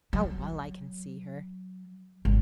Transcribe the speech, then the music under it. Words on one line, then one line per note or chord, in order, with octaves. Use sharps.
How well I can see her!
F#3
G#1